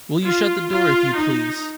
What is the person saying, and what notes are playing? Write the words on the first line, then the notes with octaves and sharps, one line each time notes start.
Will you shut the door, if you please?
F4
F4
D#4